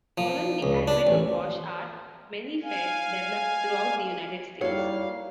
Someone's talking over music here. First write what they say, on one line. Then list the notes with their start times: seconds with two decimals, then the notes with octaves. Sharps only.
Following the advent of Wash Art, many fairs developed throughout the United States.
0.18 F3
0.63 C#2
0.88 D4
1.07 A1
2.63 F5 G#5
4.61 G3 A#3 D#4 E4 F#4 A4 C#5 F5